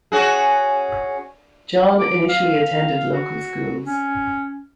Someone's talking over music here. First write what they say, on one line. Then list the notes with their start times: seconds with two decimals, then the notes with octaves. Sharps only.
John initially attended local schools.
0.12 C#4 F#4 G#4
1.99 D6
2.29 F5
3.11 F#4
3.85 C#4